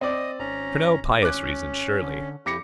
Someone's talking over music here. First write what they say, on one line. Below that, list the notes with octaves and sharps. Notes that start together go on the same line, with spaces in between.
For no pious reason, surely.
C4 D5 D#5 D#6
G#1 C#4 A#5
C#4 D6 F#6
D3
F2 E4 G4 D6 A#6 C#7